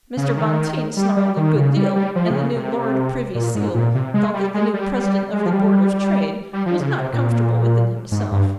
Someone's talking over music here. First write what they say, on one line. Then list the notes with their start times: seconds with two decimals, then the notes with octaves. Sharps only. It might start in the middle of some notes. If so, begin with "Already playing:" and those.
Mr. Bonteen snarled a good deal, and the new Lord Privy Seal thought that the new President of the Board of Trade was not comfortable within himself.
0.17 C#3
0.37 D#3
0.97 G3
1.17 G3
1.37 D#3
1.56 C#3
1.77 G3
1.96 G3
2.15 F3
2.30 C3
2.35 C#3
2.56 C3
3.35 A#2
3.55 G#2
3.74 A#2
3.95 C3
4.14 G#3
4.34 G3
4.54 G#3
4.74 G3
4.94 G3
5.33 G#3
5.46 F3
5.53 G3
6.53 G3
6.66 F3
6.80 C#3
6.92 C3
7.13 A#2
8.12 G#2
8.31 G2